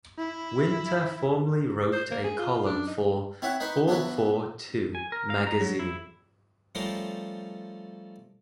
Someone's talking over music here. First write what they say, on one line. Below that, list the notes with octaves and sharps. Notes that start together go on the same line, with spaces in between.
Winter formerly wrote a column for "Four Four Two" magazine.
E4
C5
A#3
G#4
F4
D4
D#4
C4 E4 C#5 E5 F#5
D#4 B4 C5 B5 C#6
B3 D4 E4 F#4 B4
G#5
A#4
F5
A#5
F#3
E4
F3 G3 A3 C#4 A#4 C6